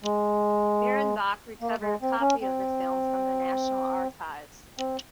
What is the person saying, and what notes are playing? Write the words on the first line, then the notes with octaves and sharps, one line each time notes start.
Birrenbach, recovered a copy of the film from the National Archives.
G#3
A#3
G#3
C4
C#4
C4
C4